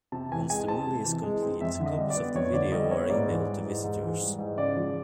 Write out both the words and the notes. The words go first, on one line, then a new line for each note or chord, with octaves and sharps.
Once the movie is complete, copies of the video are emailed to visitors.
C3 A5
E3 G#5
G#3 G#5
C4 A5
C3
E3
G#3
C4
F2 E5
D3
D#5
G3
D5
B3
F2 C#5
D3 D5
G3 D#5
B3 C#5
G#2 D5
E3
G3
G#2
G#2
E3
G3
G#2
C#3 D5
F3